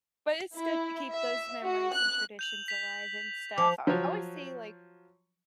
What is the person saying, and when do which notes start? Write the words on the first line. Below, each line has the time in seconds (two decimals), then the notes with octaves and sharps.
but it's good to keep those memories and traditions alive and stuff. I I always say, like,
0.55 E4
1.09 E5
1.62 F#4
1.93 F#6
2.39 G6 F7 F#7
2.68 B6 F7
3.58 F3 D6 F7
3.87 F3 F#3 C#5